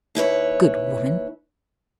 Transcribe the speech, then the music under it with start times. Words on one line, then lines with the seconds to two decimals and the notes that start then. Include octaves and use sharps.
Good woman!
0.15 D#2 E4 B4 C#5